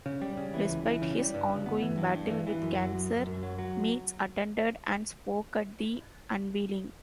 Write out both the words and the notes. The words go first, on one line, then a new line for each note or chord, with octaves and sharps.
Despite his ongoing battle with cancer, Meads attended and spoke at the unveiling.
C#3
G3
C#3
E3
C#2
E3
C#3
G3
G2
G1
B3
E3
G2
G2
E3
E3
F#2
F#3
F#2
F#2
F#2
F#3
F#3